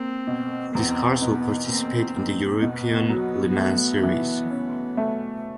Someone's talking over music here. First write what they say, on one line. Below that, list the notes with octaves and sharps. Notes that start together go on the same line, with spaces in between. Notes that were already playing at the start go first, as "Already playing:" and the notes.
These cars will participate in the European Le Mans Series.
Already playing: A#3 C4
B2
E2 C4
B2 B3
A#3 C4
A#3
B2 B3
F#3
A3
E3
C#4
A3